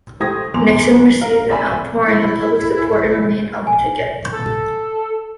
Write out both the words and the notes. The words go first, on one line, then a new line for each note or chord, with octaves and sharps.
Nixon received an outpouring of public support and remained on the ticket.
A3 G4 C5 D#6 G#6 A#6
E2 B2 C6 D6 F7
A#4 F5
C4 D5 E5 G#5 B5
E4
G#5
A4